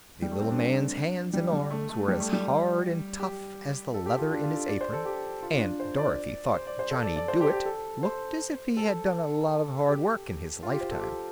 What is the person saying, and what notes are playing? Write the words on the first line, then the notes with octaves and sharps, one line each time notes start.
The little man's hands and arms were as hard and tough as the leather in his apron, and Dorothy thought Johnny Dooit looked as if he had done a lot of hard work in his lifetime.
G3
A3
C4
D4
G3
G3
A3
A3
G3
A3
G3
G4
A4
G4
F4
D4
F4
A4
D5
C5
A4
G4
F4
D4
C5
D5
C5
D5
C5
A4
D5
D5
C5
G4
G4
A4
C5
A4
G4
F4
G4
C5
A4
G4